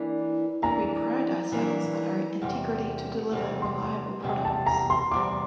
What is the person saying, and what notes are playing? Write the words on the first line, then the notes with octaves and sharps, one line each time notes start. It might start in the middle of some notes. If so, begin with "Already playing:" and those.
We pride ourselves on our integrity to deliver reliable products.
Already playing: E3 A#3 D4
E3 A#3 D4 A#5
E3 A#3 D4
E2 C3 G3
E2 C3 G3
C6
E2 C3 G3
A5
A#5
C6
E2 C3 G3 D6